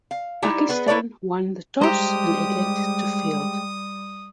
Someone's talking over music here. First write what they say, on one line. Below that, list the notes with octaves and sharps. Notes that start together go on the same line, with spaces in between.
Pakistan won the toss and elected to field.
F5
G3 D#4 E4 G4
B3 G#4 B4
E4 A4 B4 C#5 D5
G3 G#3 G4 C5 A#5 D#6